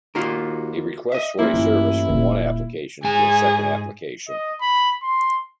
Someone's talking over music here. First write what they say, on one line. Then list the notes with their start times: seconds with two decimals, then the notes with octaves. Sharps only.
A request for a service from one application to a second application.
0.15 D#2 F4 F#4 A#4
1.12 D#5 E5
1.39 A1 A#3 E4 F4
1.53 A1 G2
2.09 D#1
3.04 G#2 G#4 G#5
4.29 D#5
4.61 B5
5.03 C6